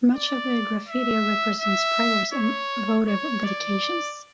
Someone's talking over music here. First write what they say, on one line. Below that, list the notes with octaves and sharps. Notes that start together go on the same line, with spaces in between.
Much of the graffiti represents prayers and votive dedications.
D5
E5
E5
C#5
C#5
D5